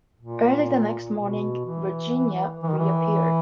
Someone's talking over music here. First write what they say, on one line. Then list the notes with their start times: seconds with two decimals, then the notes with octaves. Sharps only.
Early the next morning "Virginia" reappeared.
0.20 A#2
1.16 B2
1.65 E3
2.63 E3
2.70 D#3
2.78 E3